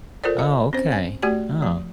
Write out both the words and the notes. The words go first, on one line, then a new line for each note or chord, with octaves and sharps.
Oh, okay. Oh,
F4 A4 A#4 C5 D5
D#5
C4 C#4 C5
G#5
A3 F#4 G4 D5 G#5
F3